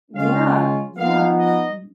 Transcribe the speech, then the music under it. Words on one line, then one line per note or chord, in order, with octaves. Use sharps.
Yeah, yeah, w
C#3 G#3 C#4 F4 F5
F3 B3 D#4 F5
D#5